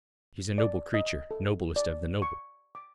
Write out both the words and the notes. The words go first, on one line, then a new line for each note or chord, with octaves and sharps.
She's a noble creature, noblest of the noble.
D5
D#5
A4
D5
C#6
D6